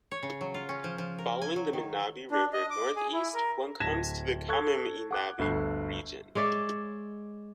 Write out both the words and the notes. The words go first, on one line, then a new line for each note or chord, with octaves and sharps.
Following the Minabe River northeast one comes to the Kamiminabe region.
C#5
C#3
F#3
F4
C#4
F3
F3
A#4
G#5
F#3
D#3
D4
D#5
D6
G#4
E4
A#4
D1 A5 G#6 A#6 B6 E7
A4 C#6 F#6 G#6
F#5 D6 F#6
G1 D2 A4 B5 F#6 C7
G#3 C#5 D5 E5